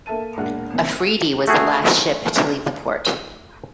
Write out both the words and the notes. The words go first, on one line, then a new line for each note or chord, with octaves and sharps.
"Afridi" was the last ship to leave the port.
A#3 A4 E5 A5 D#7
E1 A#2 G#3 D4 A#4 F#5
A#2 D#3 E3 C4
A3 F#4 G#4